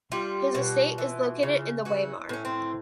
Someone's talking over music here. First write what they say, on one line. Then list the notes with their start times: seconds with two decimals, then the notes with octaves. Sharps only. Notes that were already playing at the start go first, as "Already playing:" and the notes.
His estate is located in the in Weimar.
0.12 G3 F4
0.55 B2
0.98 E3
1.43 C#3
1.85 E3 F#4
2.29 A2 C#4
2.45 C4